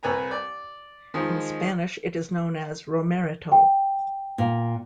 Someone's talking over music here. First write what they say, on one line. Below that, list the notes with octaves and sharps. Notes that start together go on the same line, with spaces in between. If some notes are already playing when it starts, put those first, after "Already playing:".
In Spanish it is known as "romerito".
C2 B4 G#5 A#5
D5
D#3 F3 G#3
G5
A#2